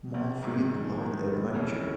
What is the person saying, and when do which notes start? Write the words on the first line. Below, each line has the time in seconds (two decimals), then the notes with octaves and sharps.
Monfreid loved adventure.
0.14 A#1
0.43 G#2 D#3
0.70 A#1
0.98 G#2 D#3
1.25 E1
1.54 D2 C#3 E3 A3